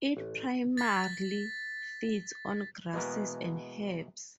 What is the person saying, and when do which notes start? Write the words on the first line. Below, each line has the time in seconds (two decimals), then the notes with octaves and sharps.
It primarily feeds on grasses and herbs.
0.17 A1
0.77 A6 B6
2.94 B2 E3 G#3 A#3 B3 A#4